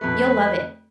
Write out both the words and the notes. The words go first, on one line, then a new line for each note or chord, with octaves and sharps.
You'll love it.
F2 A3 B4